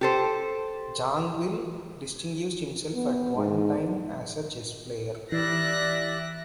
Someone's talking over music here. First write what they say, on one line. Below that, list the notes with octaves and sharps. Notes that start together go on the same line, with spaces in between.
Zangwill distinguished himself at one time as a chess player.
G4 A4 C5
B3
G#2
E3 G3 D5 E5 F#6 A#6